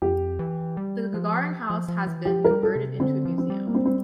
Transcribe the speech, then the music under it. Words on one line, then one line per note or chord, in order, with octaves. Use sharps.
The Gagarin house has been converted into a museum.
F2 G4
E3
G3
F3
F3
F3
E3
F3 G4
A#4
G3
A4
C3
D3 C4
F3
C4
G3
A#3
C4
C4